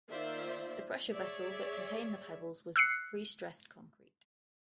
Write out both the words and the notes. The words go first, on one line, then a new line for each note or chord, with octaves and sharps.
The pressure vessel that contained the pebbles was prestressed concrete.
D#3 A#3 F4 C5 D5 E5
G#4 C#5 D5 E5
E6 F#6 C7 C#7